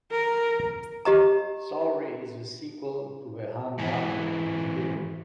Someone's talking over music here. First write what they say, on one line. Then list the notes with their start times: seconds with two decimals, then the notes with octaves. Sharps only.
Sorry is the sequel to the Hung-Up video.
0.11 A#4
1.05 G4 D#5 A#5
3.78 G#2 E3